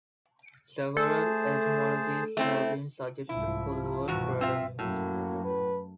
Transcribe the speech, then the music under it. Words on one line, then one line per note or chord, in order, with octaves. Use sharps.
Several etymologies have been suggested for the word "Radhanite".
A3 G#4 A4 C5 A5
A3 C4 E4
C2 G#2 F3 E4
E2 G2 B2 D#3 F#4
C4 F4 E5
F#2 A2 F#3 A#3
B4